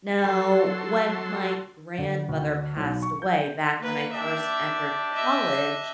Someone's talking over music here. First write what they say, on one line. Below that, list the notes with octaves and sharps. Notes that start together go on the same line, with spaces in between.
Now, when my grandmother passed away back when I first entered college,
F#3 A4 C6
D3
D2
B1
C#6
G6
A#3 B4
D4 G4 E5
D#5 E5